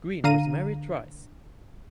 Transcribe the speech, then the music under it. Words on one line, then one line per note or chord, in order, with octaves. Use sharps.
Green was married twice.
D3 F5 A#5 D#7